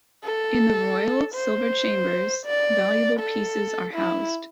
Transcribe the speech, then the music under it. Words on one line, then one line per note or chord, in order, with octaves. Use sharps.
In the Royal Silver Chambers, valuable pieces are housed.
A4
C5
D5
A4
E4